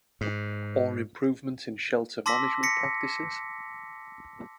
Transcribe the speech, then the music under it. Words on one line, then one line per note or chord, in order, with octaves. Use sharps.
Or improvement in shelter management practices?
G#2
A5 C6 D6 E6 A#6 B6
A#6 B6 C#7